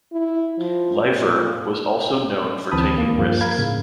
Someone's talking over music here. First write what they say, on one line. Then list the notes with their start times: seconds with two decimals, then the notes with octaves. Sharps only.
Leifer was also known for taking risks.
0.12 E4
0.58 F3
1.11 A#2
2.71 D2 E3 C4 A5 B5 D#6
2.97 D#2 A#3
3.18 G2 F3 A#3
3.41 A#4 F5 B5 G#6
3.58 A2 C#3